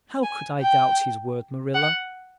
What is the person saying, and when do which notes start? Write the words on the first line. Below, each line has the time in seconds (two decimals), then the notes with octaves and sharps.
How could I doubt his word, Marilla?
0.23 G#5
0.61 G5
1.75 F#5